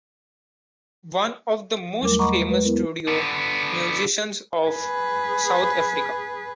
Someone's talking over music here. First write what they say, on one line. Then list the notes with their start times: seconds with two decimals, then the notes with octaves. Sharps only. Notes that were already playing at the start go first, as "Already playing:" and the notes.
One of the most famous studio musicians of South Africa.
2.02 E2 F#3 G3 A3 A#4 D6
2.19 D#5 F#5 A#5 B5 C#6 D6
2.47 G#3 B4
2.64 B3 E4 A#4
3.08 D3 B3
4.67 G#4 B4